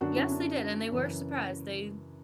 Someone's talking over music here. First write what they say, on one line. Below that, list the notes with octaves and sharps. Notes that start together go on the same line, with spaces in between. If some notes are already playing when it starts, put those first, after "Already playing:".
Yes, they did and they were surprised. They
F#2 D3 D4 F#4
C#4 E4
D4
F#2 C#3 E3